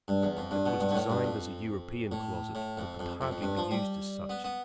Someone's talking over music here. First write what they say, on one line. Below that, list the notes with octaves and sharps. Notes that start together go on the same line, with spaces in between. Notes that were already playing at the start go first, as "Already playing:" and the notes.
It was designed as a European closet but could hardly be used as such.
G2
E2
F2
G2
B2
G2
B2
A2
G2
F2
A2
A2
F2
F2
F2
F2
G2
F3
G3
B3
B3